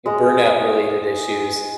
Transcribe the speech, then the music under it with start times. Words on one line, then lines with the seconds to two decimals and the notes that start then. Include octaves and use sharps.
burnout related issue,
0.06 G#3 D#5